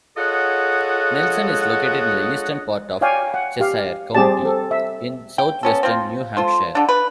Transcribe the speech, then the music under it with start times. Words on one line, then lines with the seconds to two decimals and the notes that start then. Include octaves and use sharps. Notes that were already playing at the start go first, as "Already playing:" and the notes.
Nelson is located in the eastern part of Cheshire County, in southwestern New Hampshire.
0.17 F4 G#4 A4 C#5 D#5 F#5
3.01 C#5 D5 F5 G5 G#5
3.34 F#5
3.60 G4 F5
4.14 G3 C4 G4 G#4 D5 A5
4.42 C4 A4
4.71 E5
5.38 G5
5.63 B3 C#4 A4
5.83 F3 C4
6.37 F4 A4 C5
6.75 D3 D4
6.89 B4